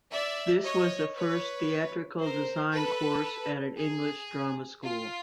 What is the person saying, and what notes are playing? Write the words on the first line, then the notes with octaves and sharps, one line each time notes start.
This was the first theatrical design course at an English drama school.
D5 E5
C#5 D#5
B4 C#5
A#4 C5
A4 B4
G#4
F4